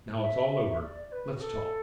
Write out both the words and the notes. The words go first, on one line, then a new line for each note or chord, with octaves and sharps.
"Now it's all over, let's talk."
E5
D5
B4
F#4
A4